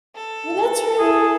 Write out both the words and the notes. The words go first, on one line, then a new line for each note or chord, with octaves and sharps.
Well, that's really
A4
E4 G#4